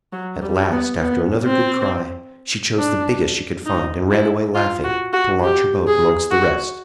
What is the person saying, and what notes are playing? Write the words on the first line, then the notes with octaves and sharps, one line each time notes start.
At last, after another good cry, she chose the biggest she could find, and ran away laughing, to launch her boat amongst the rest.
F#3
G3
B3
B3
C4
D4
D#4
E4
F4
F#4
F#4
G4
G#4
F#4